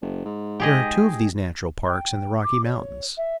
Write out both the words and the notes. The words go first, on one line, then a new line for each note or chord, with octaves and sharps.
There are two of these natural Parks in the Rocky Mountains.
F#1
G#2
G4 G#4 D#5
G5
D6
C#5
E5